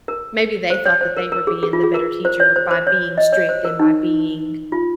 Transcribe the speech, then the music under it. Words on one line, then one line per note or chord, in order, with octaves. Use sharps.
maybe they thought that they were being the better teacher by being strict, and by being,
A#4
C5
C#5
C5
A#4
A#4
G#4
G#4
F4
G#4
A#4
C5
C#5
C5
C5
C#5
D#5
C#5
C5
A#4
D#4
F4